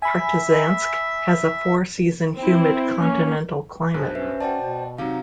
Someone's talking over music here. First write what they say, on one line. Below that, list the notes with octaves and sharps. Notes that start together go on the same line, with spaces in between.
Partizansk has a four-season humid continental climate.
E5 G#5 B5
C4 E4
A#3 C#4
B1 G2 G#4 C5 F#6
C#4 B4 E5
F#4 D5 G5 A5
B2
C3 F#3 D#4 F#4 F5